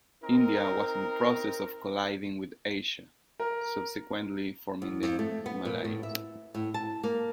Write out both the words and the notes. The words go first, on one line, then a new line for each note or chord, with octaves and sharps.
India was in the process of colliding with Asia, subsequently forming the Himalayas.
C4 D#4 A#4
A#4
E2
F2
A3
B3
A#2
A2
E5
A2
A5
A#3